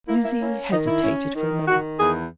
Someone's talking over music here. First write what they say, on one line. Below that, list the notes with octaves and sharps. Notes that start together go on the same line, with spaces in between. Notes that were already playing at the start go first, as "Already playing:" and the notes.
Lizzie hesitated for a moment.
A#3 E4
E4
C#4 E4
D#3 D#4
E4
C#4
D#3
D#3 F#4
E2 G#4